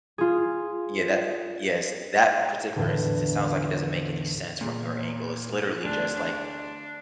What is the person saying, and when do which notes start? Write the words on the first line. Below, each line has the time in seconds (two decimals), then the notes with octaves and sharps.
Yeah, that Yes, that particular instance, it sounds like it doesn't make any sense from her angle. It's literally just, like,
0.18 F4 G#4
2.75 E2 A2 D3
4.61 E2 A#2
5.84 D2 D4
6.14 D4